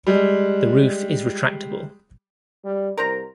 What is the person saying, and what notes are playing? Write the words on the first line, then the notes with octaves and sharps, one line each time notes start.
The roof is retractable.
G3 G#3
G3
C2 A#4 C5 A#5